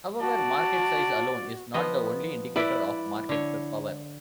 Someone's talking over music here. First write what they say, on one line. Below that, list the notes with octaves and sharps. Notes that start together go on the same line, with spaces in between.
However, market size alone is not the only indicator of market power.
F#4 D5 A5
F3 B3 D#5
E4 B4 D5
D3 C#5